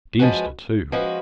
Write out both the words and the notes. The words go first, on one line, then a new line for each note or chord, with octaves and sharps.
Deemster too!
F3 G#3 C#4 F#4 B4
F3 G#3 C#4 F#4 B4